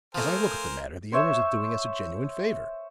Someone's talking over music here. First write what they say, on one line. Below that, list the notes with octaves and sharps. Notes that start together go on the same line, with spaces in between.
As I look at the matter, the owners are doing us a genuine favor.
F3 A3 A#4 C5 G#5
C5 C#5 E5